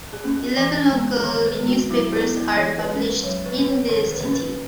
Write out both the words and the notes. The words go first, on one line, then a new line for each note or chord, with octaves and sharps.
Eleven local newspapers are published in the city.
G#4
A#3 C#4
G#4
E3
G#3 B3
D#3 A#4
B4
G#3 B3
F#4
F#3 E4
E4
B3
E4
E3 C#5
B4
G#3 C#4
B4
F#3 C#5
B4
A#3 C#4 B4
C#5
D#3 A#4
B4
A#3 C#4
B4